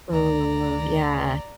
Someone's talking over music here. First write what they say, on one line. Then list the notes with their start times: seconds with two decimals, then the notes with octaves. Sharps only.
Ooh, yeah.
0.11 D2 D5 A#5